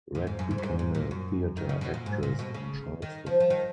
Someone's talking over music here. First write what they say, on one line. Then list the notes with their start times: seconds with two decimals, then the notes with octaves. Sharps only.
Rhett became a theatre actress in Charleston.
0.15 A#2
0.27 G#2
0.39 F#2
0.51 G#2
0.58 F#2
0.63 G#2
0.79 G#2
0.95 A#2
1.11 F#2
1.57 D#3
1.69 C#3
1.81 B2
1.94 A#2
2.06 G#2
2.23 A#2
2.39 B2
2.54 C#3
3.02 D#3
3.26 F3
3.40 F3
3.50 D#3